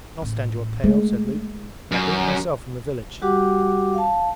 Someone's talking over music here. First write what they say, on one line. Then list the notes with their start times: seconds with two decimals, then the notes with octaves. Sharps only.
I'll stand you a pail!' said Luke. 'I'll bring it myself from the village.'
0.22 A1
0.84 G#3 A3
1.91 F#2
3.22 G3 F#4 G4 F#5 D6
3.94 F5 A5